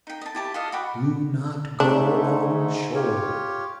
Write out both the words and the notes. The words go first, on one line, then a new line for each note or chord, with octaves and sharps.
Do not go on shore.
D#4 G5
D#5 A5
E4 G4 A5
F4 A4 D#5 F5
F#4 G5 B5 D6
G#2 A3 D4
F4 G4 C#5